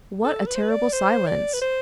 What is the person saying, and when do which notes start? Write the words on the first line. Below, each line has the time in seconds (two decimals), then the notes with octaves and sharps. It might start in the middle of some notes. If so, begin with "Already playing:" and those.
What a terrible silence!
0.25 A4
0.47 B4
0.55 C5
0.62 B4
0.70 D5
0.93 C5
1.27 D5
1.54 B4
1.62 C5